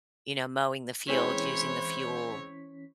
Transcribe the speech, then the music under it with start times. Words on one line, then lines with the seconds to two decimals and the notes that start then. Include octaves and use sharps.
you know, mowing the fields, using the fuel,
1.08 E3 G#3 C4 C#4 E4 C5 C#5 B6